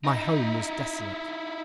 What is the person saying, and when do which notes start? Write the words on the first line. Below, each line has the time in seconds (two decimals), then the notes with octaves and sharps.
My home was desolate.
0.05 D#4 E4